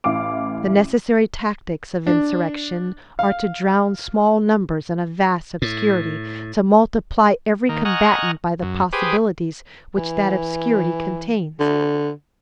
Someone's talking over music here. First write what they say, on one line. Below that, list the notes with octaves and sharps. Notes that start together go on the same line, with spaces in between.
The necessary tactics of insurrection are to drown small numbers in a vast obscurity, to multiply every combatant by the possibilities which that obscurity contains.
A1 E4 F5 D6
D4
F5
A2
D#3 A#3
D#5 F#5 G#5 A#5 C#6 F6
F#2
G4 G#4 B4 C5 D6 D#6
E3
D3